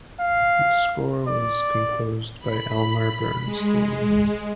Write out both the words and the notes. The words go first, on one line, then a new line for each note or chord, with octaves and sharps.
The score was composed by Elmer Bernstein.
F5
D5
B5
G#3